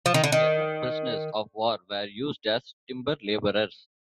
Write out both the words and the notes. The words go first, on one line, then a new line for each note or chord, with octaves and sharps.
The German Prisoners of War were used as timber laborers.
F3
D#3
D3
D#3